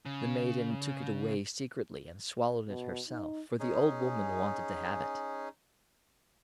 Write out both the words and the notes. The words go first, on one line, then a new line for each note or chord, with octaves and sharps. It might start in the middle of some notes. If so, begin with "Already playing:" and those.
The Maiden took it away secretly and swallowed it herself, for the Old Woman wanted to have it.
C#3
B2
D#4
C#4 D#4 G#4